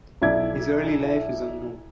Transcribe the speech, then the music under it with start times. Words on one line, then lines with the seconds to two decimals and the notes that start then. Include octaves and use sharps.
Her early life is unknown.
0.22 B1 E4 D5 G#6